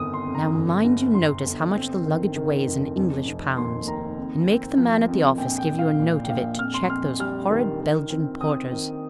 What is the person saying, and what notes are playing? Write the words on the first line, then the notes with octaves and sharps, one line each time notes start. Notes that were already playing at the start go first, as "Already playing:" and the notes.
Now, mind you notice how much the luggage weighs in English pounds, and make the man at the office give you a note of it to check those horrid Belgian porters.
Already playing: G1 F2 D#3 D#6
C6
F2
A#5
G1
G1
G1 C6
G1
C4
D#3
D#3
F1
F1
F1
D#2 C6
D#3 A#5
F2
C4
F3
F2
A#1 G5
G5
A#1
F5
A#2
G5
A#1 F5
F2 F6
C6
F2 F6
G3 F6
D#3
D#3
C4
C4 D#6
D#3